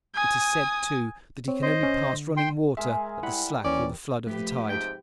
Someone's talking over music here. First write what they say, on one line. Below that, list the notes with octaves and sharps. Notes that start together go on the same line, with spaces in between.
It is said, too, that he can only pass running water at the slack or the flood of the tide.
G#5 D#6
C4 C#5
C5 D#5
C#2 C#4
D3
G5 C6
G#3 G#4 A#4 E5
G3 E4 F#5 B5
D#2 E3 C#4 D5
F3 A3 G4 B4
G#2 C3 G5